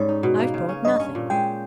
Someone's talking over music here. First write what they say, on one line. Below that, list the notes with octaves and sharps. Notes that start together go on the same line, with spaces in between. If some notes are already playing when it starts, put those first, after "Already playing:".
'I've brought nothing.
Already playing: G#2 G3 C#4 C#5
D#4
B2
A#3
C#3
C#4
G2 D#5
C#4
A#2
G#3 G5